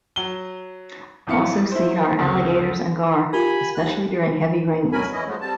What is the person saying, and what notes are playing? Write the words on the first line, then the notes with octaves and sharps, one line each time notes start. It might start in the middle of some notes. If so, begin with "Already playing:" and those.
Also seen are alligators and gar, especially during heavy rains.
F#3 G7
A1 F2 E4 F5 C#7
E4 C5
F#1 D2 C#3 C4
F4 G4 A#4 G#5 B5
D#2 F#6
D2 B2 F#3 A#4 G#5 B5
F2 E3 C#4 E4 D#5
F3 F#3 G#3 A3 B3
G3 C4 A5